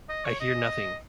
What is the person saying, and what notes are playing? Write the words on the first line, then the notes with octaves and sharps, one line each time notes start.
I hear nothing!
D#5
C#5
D#5